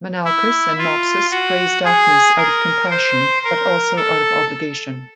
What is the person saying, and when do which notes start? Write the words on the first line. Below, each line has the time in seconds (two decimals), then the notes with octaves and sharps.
Menalcas and Mopsus praise Daphnis out of compassion but also out of obligation.
0.25 E4
0.78 F4
1.31 F#4
1.84 G#4
2.37 A#4
2.90 C5
3.44 A#4
3.97 A4